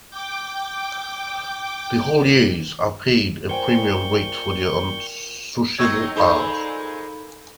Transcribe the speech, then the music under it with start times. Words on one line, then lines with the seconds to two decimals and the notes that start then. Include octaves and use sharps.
The hauliers are paid a premium rate for their unsociable hours.
0.11 G5 D6
3.49 A#2 C5 G5 G#5 C#6 G6
5.78 F#3 C4 D#4 C#6 E6 G#6
6.16 A#2 G#3 D#4 A4 C5 B5